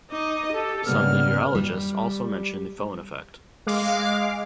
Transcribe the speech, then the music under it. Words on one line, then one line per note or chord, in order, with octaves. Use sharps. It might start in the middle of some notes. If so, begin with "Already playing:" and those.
Some meteorologists also mention the foehn effect.
D#4 D#5 D6
G4 A4
G#2 C#3 G3 A#3 B3 F6
G3
G#3 F5 D6